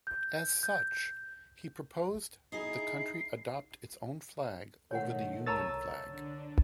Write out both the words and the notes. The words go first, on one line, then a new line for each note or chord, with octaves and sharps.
As such, he proposed the country adopt its own flag over the Union Flag.
G6
G6
D#4 E4 G#4 C7
B2 D#3 A3 C#5 F#5
C2 A#4 C#5 A5 A#5 E6 A6
D3 D4